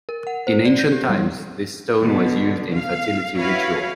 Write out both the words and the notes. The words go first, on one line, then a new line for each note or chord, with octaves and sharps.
In ancient times this stone was used in fertility rituals.
A#4
F#5
C5
D5
G6
G4
G3
B2 D3
F5
E4 F#4 B4 C#5 F5